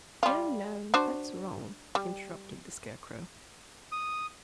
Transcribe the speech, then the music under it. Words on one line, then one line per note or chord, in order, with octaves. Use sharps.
"No, no; that's wrong," interrupted the Scarecrow.
G3 F4
D4 F#4 C5
G3
D#6